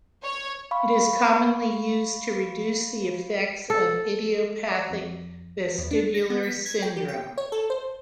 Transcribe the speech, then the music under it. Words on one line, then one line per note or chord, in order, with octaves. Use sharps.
It is commonly used to reduce the effects of idiopathic vestibular syndrome.
C#5
F5 B5 C#6
A4
D5
F2
E2
D4
A#6
B3
B6
G#6
G5
G4
G5
C#5
A4
C5